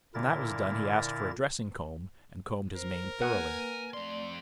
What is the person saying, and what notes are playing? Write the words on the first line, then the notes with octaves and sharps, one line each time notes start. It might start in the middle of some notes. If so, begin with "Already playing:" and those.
When that was done he asked for a dressing-comb, and combed his mane thoroughly.
A#2 D3 E4 A#4 A6
A#4 C5
A#3 B4 F#5 G#5
F2 A3 D5 C6